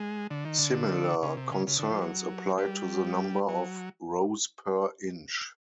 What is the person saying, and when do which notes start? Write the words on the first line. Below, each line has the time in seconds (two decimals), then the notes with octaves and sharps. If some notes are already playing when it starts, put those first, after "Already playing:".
Similar concerns apply to the number of "rows per inch".
Already playing: G#3
0.31 D3
0.45 D#3
0.58 D3
1.22 C#3
1.37 C3
1.51 C#3
1.67 C#3
1.79 D3
1.90 F3
2.01 F#3
2.58 G3
3.49 F#3